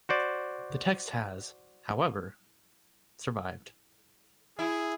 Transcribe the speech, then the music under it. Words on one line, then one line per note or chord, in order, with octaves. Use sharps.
The text has, however, survived.
F#4 C5 D5
E4 G#4